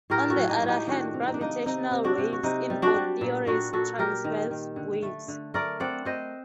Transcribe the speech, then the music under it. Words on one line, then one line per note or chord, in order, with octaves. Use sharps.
On the other hand, gravitational waves in both theories are "transverse" waves.
A2 G4 A#4
F#4 A4
F#3
D#4 G4
A2
D#4 G4
D#3 D4 F#4
C3
D#4
D4
A#3 D#4
C3 D#4
C3
D4 F#4
C3
F#4
C3 D#4
G3
D4 F#4
G3
A#2
A#2 D4 F#4
A#2 F#4 A4
G3 G4 A#4
D#3
D#3
D3
A3
D3
A3 A#4 D5
C4 D5 F#5
C4 C5 D#5